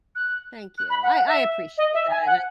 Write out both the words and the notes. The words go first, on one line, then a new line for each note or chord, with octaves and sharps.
Thank you. I I appreciate that, and I
F#6
F#6
B5
F#5
F#5
E5
D#5
E5
G#5
F#5